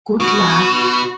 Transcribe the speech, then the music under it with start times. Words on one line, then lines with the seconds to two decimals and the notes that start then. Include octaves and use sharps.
Good luck?
0.20 B2 F#4